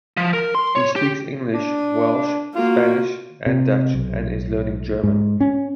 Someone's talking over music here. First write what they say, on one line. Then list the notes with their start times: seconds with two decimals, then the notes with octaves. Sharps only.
He speaks English, Welsh, Spanish and Dutch and is learning German.
0.17 F3
0.33 A#4
0.55 C6
0.76 C#5
0.96 G4
1.54 D4
2.55 A#3 F4 F#4
3.46 C3
3.94 B1
5.03 G#2
5.41 C#4